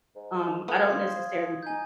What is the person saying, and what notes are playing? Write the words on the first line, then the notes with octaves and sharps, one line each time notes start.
um, I don't necessarily
G#2
A3 B3 F4 B4 C5 D#6 G#6
D#4 G#5 G6